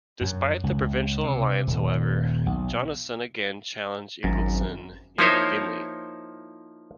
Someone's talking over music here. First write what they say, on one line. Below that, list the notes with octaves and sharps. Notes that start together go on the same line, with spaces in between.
Despite the provincial alliance, however, Jonasson again challenged Ingaldson in Gimli.
F#2
C#2
C3
D#1
B1
G#1 F#2
F3 A#3 D#4 E4 C5 C#5